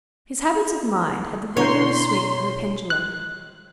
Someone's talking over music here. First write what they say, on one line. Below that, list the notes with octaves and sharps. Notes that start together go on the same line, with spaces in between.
His habits of mind had the regular swing of a pendulum.
B2 D3 E4 C#5 A#5 C6 G6
F#6